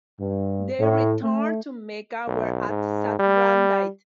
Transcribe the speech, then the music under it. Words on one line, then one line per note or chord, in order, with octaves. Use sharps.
They returned to Mecca, where As-Sakran died.
G2
A2
A3
B1
G#2
G3